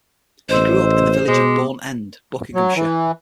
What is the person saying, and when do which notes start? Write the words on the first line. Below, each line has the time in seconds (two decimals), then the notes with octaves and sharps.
He grew up in the village of Bourne End, Buckinghamshire.
0.49 A1 C5 D#5 C6 E6
1.28 B2 G#3 B3 D6
2.55 F#3
2.76 E3